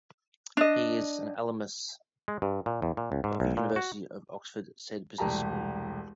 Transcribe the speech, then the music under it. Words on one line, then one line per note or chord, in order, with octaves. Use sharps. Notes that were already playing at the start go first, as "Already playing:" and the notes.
He is an alumnus of University of Oxford Said Business School.
D4 D#5
G#3
G2
A#2
E2
A#2
C#2
G#2
B1
A#2
F#4
E1 C2 A3 G4 A5 A#5